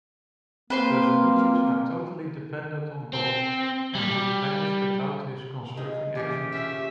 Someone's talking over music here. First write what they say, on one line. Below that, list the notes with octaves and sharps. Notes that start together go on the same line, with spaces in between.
Thus creatures are totally dependent on God and would vanish without his conserving action.
A#3 C4 B4 C5 C6
C4
G3
G#3 D#4 F4
C#3 E3 A#3 G4
A3 C#4 F4 E5